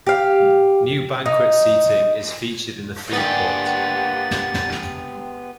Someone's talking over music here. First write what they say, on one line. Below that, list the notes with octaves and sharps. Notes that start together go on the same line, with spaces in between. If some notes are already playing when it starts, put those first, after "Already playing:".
New banquet seating is featured in the food court.
G4 F5
D#4
A#3 B3 D4 G4 G#4 F#5 A6